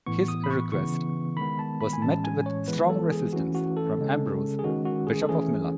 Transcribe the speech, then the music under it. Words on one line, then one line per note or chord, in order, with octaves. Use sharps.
His request was met with strong resistance from Ambrose, Bishop of Milan.
A2 E3 B3 C#6
D#6
B5
C#6
C#3 E3 B3 C#6
D#3 G#3 B3 B5
A5
B5
G#5
A2 E3 G#3 C#4 A5
G#5
C#5
E3 G#3 B3 B4
A4
G#4
E3 A3 C#4 F#4
F#4
A4
C#3 G#3 C#4
G#4
D#3 G#3 C#4 F#4
F#4
G#4
A4
E3 A3 C#4 G#4